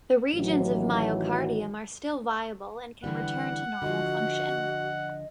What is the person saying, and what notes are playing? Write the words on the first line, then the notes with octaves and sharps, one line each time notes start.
The regions of myocardium are still viable and can return to normal function.
A1 D#3 E3 F#3
D3 E3 G3 F#5
D3 F3 F#4 D#5